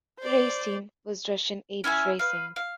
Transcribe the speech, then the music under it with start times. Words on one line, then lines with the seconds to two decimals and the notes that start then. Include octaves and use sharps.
Race team was Russian Age Racing.
0.19 C5 D5
1.84 C#4 E4 E5 G#5
2.19 B4 F5
2.56 F5